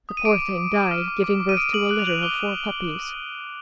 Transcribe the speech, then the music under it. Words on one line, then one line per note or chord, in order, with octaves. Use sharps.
The poor thing died giving birth to a litter of four puppies.
D#6
D#7
D6 D7
D6
D6
D6
F6
D6
D6
D6
D#7
D#6 D7
D#6 F#7
F#6 F#7
F7
F#6 F#7
D6 G7